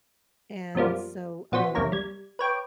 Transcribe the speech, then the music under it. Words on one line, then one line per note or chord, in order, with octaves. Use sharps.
and so, um,
F#2 B2 F3 G3 A#3
A#1 B3 F#4 C5 B6
C2 F2 A#3 C#5 A#5
G3 G#6
B4 C#5 G5 D6